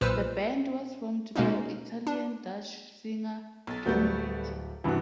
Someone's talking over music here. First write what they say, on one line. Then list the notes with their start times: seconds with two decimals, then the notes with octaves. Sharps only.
The band was formed by Italian-Dutch singer Kemi Vita.
0.01 B1 A#2 B4 C5 E6 F6
1.35 B2 G#3 A#3 C#4 D#4
2.07 D4
3.67 B1 A6
3.85 D1 F#3 G3 A3 B3 G6
4.84 G2 C3 E3 B3 F#4